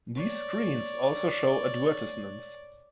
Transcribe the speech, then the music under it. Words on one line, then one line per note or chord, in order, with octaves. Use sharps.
These screens also show advertisements.
C#5 D5